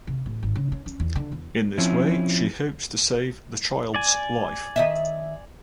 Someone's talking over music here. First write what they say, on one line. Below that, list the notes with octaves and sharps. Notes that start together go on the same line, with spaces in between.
In this way she hopes to save the child's life.
C3
A1
G#1
C#3
C#4
C#4
E2
D3
E2
F3 C4 C#4 E4
D5 G#5
D#3 D#5 E5